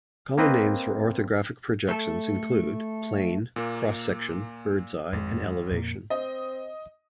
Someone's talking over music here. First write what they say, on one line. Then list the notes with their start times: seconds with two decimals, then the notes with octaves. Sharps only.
Common names for orthographic projections include plane, cross-section, bird's-eye, and elevation.
0.38 A#3 C4 B4 D#5
1.89 A3 A4
3.56 A#2 A#3
5.13 G#1 F2 G#3
5.71 F2 A#2 A#3
6.10 C4 D#5